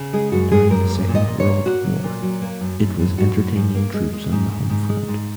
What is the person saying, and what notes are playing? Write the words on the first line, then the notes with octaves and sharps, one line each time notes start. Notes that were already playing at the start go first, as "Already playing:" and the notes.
During the Second World War it was entertaining troops on the home front.
Already playing: C#3
G#3 G#4
F#2 F#4
G#3 G#4
F#2 A#4
A#3
A#2
D#5
A#2
C#5
A#3
A#3 F#4
F#3
A#2
F#3
A#3
F#2
F#2
F#2
F#2 F#4
F#2
F#2
A#3
G#3
G#3
G#2
G#2
G#2
G#3
G#2